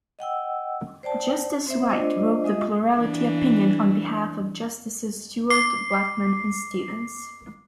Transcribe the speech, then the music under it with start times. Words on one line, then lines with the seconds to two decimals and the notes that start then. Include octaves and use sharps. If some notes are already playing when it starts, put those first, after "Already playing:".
Justice White wrote the plurality opinion, on behalf of Justices Stewart, Blackmun, and Stevens.
0.19 D#5 F#5 G5 E6
1.03 C5 D5 G5 A5
1.67 C4 C5 E5
1.89 A3 D4 F4 C5 D5 D#5
2.44 G#3 F4 D#5 E5 D#6
2.97 E3 D4
5.50 D6 C7